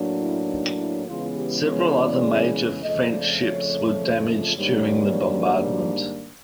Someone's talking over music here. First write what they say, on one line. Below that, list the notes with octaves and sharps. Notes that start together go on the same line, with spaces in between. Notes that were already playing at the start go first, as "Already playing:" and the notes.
Several other major French ships were damaged during the bombardment.
Already playing: A2 F#3 A#3 D4
E4
D#4
E4
C#3 E3 G#3 B3 F4
G4
C#5
D5
F2 C#3 F3 A3 D#5
D5
C#5
G#2 D#3 G3 A#3 D4 C#5